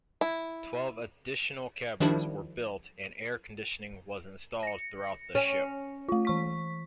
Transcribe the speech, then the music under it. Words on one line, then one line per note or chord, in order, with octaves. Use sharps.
Twelve additional cabins were built, and air conditioning was installed throughout the ship.
E4
D#3 F3 G3 D4 E4
A#6 C#7
C#4
A3 F4
E3 C#6 B6